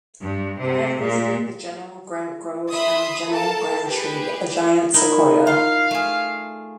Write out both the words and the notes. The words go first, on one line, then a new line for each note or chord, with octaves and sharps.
Grant visited the General Grant Grove and the General Grant tree, a Giant Sequoia.
G2
C3
A#2
E5 B5 C6 D#6
A4 A#4 F5 A5
G4 G#4 B4
D#4 E4 A#4
F4 F5
A3 G#4